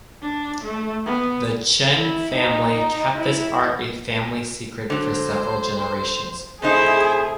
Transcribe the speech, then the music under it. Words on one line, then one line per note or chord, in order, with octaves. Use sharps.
The Chen family kept this art a family secret for several generations.
D4
A3
B3
E4
D#4
E4
D3 F#3 C5
C3 A3 D#4 E4 G#4 C5